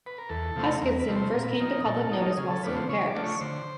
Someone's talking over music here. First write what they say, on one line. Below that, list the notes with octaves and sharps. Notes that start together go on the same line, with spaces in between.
Huskisson first came to public notice while still in Paris.
B4
A#4
E2 A4
C3 F3 A3 C4
E2 A#4
B4
C3 F3 A3 C4
C5
A#2 A#4
B4
A#4
F3 A#3 D#4
A#2 A4
F3 A#3 D#4
C#3 G#4
A4
F3 A3 D4 B4
C5
C#3 C#5
D5
F3 A3 D4
C#5
D3 C5